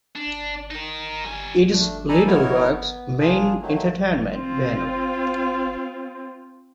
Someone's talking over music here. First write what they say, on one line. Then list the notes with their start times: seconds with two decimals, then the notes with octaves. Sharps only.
It is Little Rock's main entertainment venue.
0.16 D4
0.71 D#4 A#4
1.25 G3 G#5
1.73 A3 D4
2.09 D#4 A4 D5 G#5 A#5 B5
2.27 B3 D#4 E4 A#4 C#5
2.72 B3
3.19 A#3 D4 F4 G#4
3.62 D#3 F#3 A3 A#3
4.33 C4 F4